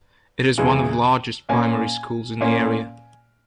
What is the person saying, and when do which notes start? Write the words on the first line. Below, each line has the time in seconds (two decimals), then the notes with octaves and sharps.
It is one of the largest primary schools in the area.
0.58 E2 C#3 E3 G#3
1.49 A#2 A#3 C#4 G#5
2.41 A#2 A#3 C#4